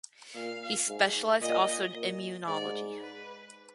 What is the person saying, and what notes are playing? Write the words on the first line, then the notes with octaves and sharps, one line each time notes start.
He specialized also in Immunology.
A#2 F5
G#2
A#2 D#5
A#2
G#2 D5
B4